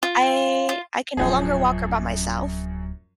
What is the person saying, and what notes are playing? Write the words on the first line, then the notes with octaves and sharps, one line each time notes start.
I I can no longer walk her by myself.
F4
F4
D1 F#2 F3 F#3 G#4